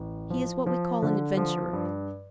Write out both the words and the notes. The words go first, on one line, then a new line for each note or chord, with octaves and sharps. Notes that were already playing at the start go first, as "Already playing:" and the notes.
He is what we call an adventurer.
Already playing: A1
F3
F3
D3
F3
G2